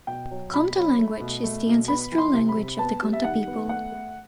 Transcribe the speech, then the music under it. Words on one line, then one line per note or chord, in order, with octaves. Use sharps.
Konta language is the ancestral language of the Konta people.
B2 G5
F#3
B2 B5
F#3
A3
B2
A3
B2
B3 B5
E3
C6
C3
B5
C3
B3 A5
G3
E5
D#3 F#5
B3
A3 F#5
A3